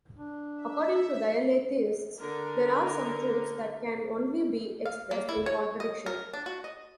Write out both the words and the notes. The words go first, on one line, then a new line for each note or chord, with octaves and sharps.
According to dialetheists, there are some truths that can only be expressed in contradiction.
D4
E5
D3 A#4
F5
A#3
E4
C#5
D#5
A#4
D4
F#4
D#5